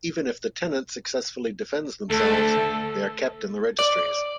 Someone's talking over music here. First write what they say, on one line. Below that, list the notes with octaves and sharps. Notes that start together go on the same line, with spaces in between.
Even if the tenant successfully defends themselves, they are kept in the registries.
D2 A4
D5